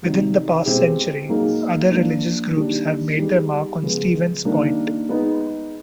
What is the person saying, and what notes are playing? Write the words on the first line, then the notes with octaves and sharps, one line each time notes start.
Within the past century, other religious groups have made their mark on Stevens Point.
C3 D#3 F#3
B2 G#3 C4 E4 G4
F#3 A#3 D#4 G#4
F3 A#3 D4
D#3 G3 A#3 D4 G4
G3 B3 D#4 G#4
C#3 F3 G#3 B3
D#3 G3 A#3 D4
G#3 B3 D#4